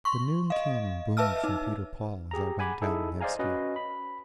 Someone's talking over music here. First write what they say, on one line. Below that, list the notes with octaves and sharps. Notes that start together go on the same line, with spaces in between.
The noon cannon boomed from Peter-Paul as I went down the Nevsky.
C6 C#6
D#5 F5
B4 E5 A5 E6 F6
D#4
G4 G#4 A#5
F#5 G#5 B5 D6
D#4 E4 G#4 A4
C5 D5 D#5 F5 G#5 A#5
C#4 F#4 B4 D#5
B5